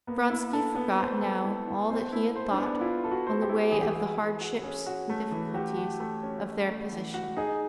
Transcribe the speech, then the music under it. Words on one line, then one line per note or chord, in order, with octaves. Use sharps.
Vronsky forgot now all that he had thought on the way of the hardships and difficulties of their position.
A#3 B3
E4
A4
B3
C5
A4
E4
E4
B3 C5
E4
C5
D4
B3
E4 F4
A4
F#4
C5
G4
E4
E3 G#4
G4
G#4
F#4
E3
F#4
C#4 G#4
F#4
A3
E3
F#4 G4
F#4
A3
C#4
C#4
A3
E3
F#4
D#4 G#4